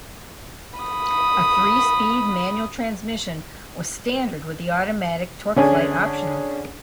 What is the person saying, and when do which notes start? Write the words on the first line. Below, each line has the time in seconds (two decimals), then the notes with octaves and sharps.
A three-speed manual transmission was standard with the automatic TorqueFlite optional.
0.79 B5 D#6
5.56 D3 C#4 D4 G#4